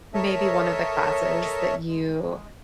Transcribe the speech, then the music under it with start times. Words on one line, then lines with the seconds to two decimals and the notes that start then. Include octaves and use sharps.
maybe one of the classes that you
0.14 A4 A#4 C#5 D#5 E5 A5
1.87 G#3